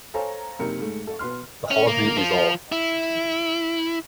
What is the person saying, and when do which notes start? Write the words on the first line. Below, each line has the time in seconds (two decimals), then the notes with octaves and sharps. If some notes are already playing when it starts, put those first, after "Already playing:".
The whole thing is off.
0.14 A4 C5 C#5 F5 G#5 A#5
0.59 F#1 C3 D#4 A#4 C#7
0.80 G#2 A3
1.07 A4
1.19 B2 B4 C6 F6
1.71 C#4
1.87 A#3
2.17 F3
2.72 E4